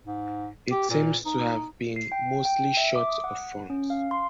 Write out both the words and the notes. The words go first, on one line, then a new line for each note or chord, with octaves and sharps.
It seems to have been mostly short of funds.
G#2
G4
A#2
D#4
C7
G5
G5
E5
D6
D#6
F#5
C#4
F5
C6